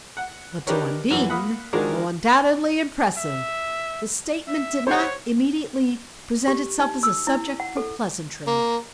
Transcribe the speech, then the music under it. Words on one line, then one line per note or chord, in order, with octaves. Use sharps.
But to Undine, though undoubtedly impressive, the statement did not immediately present itself as a subject for pleasantry.
F#5
D4 D#4 G4 A#4 B4 C#5
F#2 E3
A#3 F#5 B5 D#6
D#3 F3 G#3 D4 F#4 A#4
E5
E5
C5 C#5 F#5
G4
D#4
E6
E4
F#5
A4
A#3